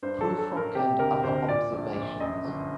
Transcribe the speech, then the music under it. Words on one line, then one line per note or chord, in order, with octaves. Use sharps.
"Prufrock and other observations".
G2 C5
A4
F#3
A4
A1
A#4
C3 G4
D2 A#4
D2 C5
A#2 D5
A#1
A#1
F#2 D#5
G1